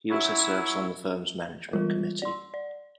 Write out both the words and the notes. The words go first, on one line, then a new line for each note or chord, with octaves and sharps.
He also serves on the firm's Management Committee.
F#3 C#4 E4
E3 G3 F4 A#4
D5 C6
D5